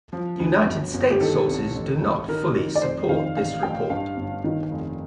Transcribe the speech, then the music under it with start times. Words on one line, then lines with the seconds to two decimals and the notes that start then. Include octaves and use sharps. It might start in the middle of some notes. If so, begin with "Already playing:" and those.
United States sources do not fully support this report.
0.13 F3
0.39 D2
0.66 G1
0.94 G1
1.11 G4
1.20 D#3 A4
1.47 C2
1.74 A1
2.01 A1
2.28 D#3 A#4
2.55 D#3
2.75 D5
2.82 F1 C5
3.09 D#3 F5
3.37 A1 F5
3.63 A1 G5
3.90 G2 F5
4.17 G1
4.44 D#3
4.71 F1